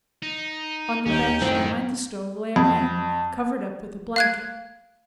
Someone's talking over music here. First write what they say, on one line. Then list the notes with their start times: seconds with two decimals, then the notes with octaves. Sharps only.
On the bench behind the stove lay a man, covered up with a blanket.
0.22 D#4
1.06 D#2 C#4 D#4 G5
1.42 F#2 A2 D#3 C4
2.56 F2
4.16 F5 F#6 G#6